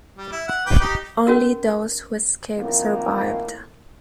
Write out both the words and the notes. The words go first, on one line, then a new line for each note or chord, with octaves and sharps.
Only those who escaped survived.
G3
E4
F#5
B4 G5 D6
D#4 G4
C#4 F#4 A#4
F2 A2 D#3 A#3